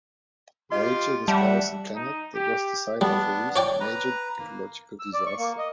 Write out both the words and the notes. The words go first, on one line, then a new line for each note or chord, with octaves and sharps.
"Voyager" discovers a planet that was the site of a recent major ecological disaster.
F4 G4 D#5 C6
G3 E5 F#5 A5
D#4
G4
G3 B3 D4
C#5 D5 G5
B4 A#5
A#3
E6
D5
C#6
A#3
D#5